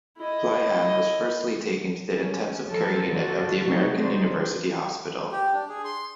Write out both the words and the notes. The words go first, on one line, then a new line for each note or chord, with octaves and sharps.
Fleihan was firstly taken to the intensive care unit of the American University Hospital.
E4 D#5
C#4
F3 A4 A#4
D3 D4 F4 F#4 A4 D5
C3 F#3 A3 D#4 F#4
F#3 G3 D4 D#4 C5
G4
D4
G#4
C6